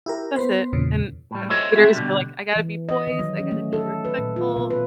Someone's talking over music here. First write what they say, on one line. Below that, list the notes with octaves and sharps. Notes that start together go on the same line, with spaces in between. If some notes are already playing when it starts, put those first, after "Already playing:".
That's it. And at theaters, we're like, "I gotta be poised. I gotta be respectful"
E4 G4 A#4
B3 B4 C5
E2 A#2 C#3
A2 G3
E4 F#4 A4 C5 C#5 D#5
C4 E4 F#4 G4 E5
B2 D3 G3
E3
D#5
D#3
F#3
C#4
A3
A4
B4
A#2
F4
B2
B4